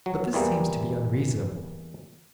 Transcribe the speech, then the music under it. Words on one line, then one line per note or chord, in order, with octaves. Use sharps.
But this seems to be unreasonable.
F#3
E2 E3 G3 A#3